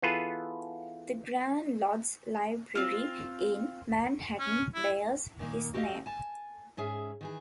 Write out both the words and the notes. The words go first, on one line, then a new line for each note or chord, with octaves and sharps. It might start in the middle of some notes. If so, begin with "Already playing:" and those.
The Grand Lodge's library in Manhattan bears his name.
E3 B3 F4 G#4 A4 B4
C4 F4
C#4
E4
A#2 D#3 A#3
F#4 G4 A4 D5 D#5 F5
G#5 A5
G#2 C#4 G#4 E5
D#3 E3 G#4